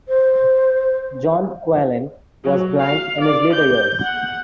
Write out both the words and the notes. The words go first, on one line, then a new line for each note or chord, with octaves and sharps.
John Qualen was blind in his later years.
C5
F#3
F5
D5
G6
F#5